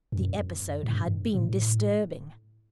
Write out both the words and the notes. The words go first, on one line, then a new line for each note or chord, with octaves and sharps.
The episode had been disturbing.
F#2
A2
G2
A2